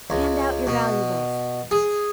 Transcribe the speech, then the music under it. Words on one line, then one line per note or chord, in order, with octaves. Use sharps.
"Hand out your valuables!"
C#2
B2
G#4